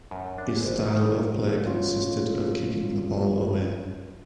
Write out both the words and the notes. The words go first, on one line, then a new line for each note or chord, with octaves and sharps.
His style of play consisted of kicking the ball away.
F#2
D4
G#1
D#3
F#3 C#4 F4 F#4